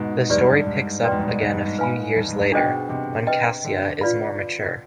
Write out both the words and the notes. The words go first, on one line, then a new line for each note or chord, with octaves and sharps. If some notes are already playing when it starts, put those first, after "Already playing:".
The story picks up again a few years later when Casseia is more mature.
Already playing: G#2 B2
G#2 G4 B4 D5
G2
G2
G#2
B2 B4 D5 G5 C6
G#2
G2
G#2
G#2
G2
G#2
B4 F5 G#5 B5
G2
G#2
G2
B2 D4 G#4 C5 D#5 G5
C3
B4 D#5 G5
D3
F4 B4 D5 F5 B5